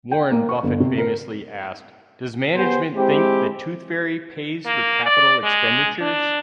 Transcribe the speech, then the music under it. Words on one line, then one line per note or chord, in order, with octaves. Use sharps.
Warren Buffett famously asked: Does management think the tooth fairy pays for capital expenditures?
G5
A#3
C#6
G1
C3
A#4
B3 G4 G#4 C5
G#3 C4 E4 G4
A#3
D5
G#3
D4